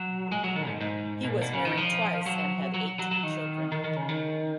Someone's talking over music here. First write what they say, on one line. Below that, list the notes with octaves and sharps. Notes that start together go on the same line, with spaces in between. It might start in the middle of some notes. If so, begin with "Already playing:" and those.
He was married twice and had eight children.
Already playing: F#3
G#3
F#3
D#3
G#2
G#2
B2
A#2
B2
C#3
D#3
F3
F#3
F#3
F#3
F#3
D#3
D#3
D#3
C#3
D#3